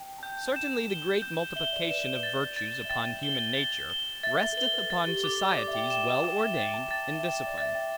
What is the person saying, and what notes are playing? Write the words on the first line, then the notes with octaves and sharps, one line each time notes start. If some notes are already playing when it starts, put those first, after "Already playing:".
Certainly the great multiplication of virtues upon human nature, resteth upon societies well ordained and disciplined.
Already playing: G5 A5
A5
G5 G6
E7
G7
G6
E5 G7
D5
D5
B4 E7
D5
A6
A6
E5
G5 A6
G7
G7
G7
E5 A6
E5
A4
B4 G7
A4
B4
A4 A6
G4
A4 D6
D5
D6
E5
G5
G5 E7
G5
G5 D6
E5
G5 A6
A5
G5 A6
E5
G5 E7
D5
E5 A6
G5